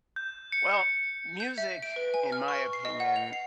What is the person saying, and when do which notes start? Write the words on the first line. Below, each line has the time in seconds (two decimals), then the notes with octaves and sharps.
Well, music, in my opinion,
0.16 G6
0.52 C#7
0.72 C#7
1.40 G6
1.58 E5
1.82 D7
1.96 B4
2.14 G#5
2.32 F6
2.48 C#6
2.73 C7
2.85 D#5
3.00 F#5
3.16 F7
3.33 C7